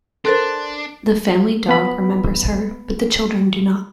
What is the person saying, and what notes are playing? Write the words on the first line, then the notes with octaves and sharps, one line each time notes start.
The family dog remembers her, but the children do not.
D4 A4 A#4 C5 C6 F#6 A6
B3 B5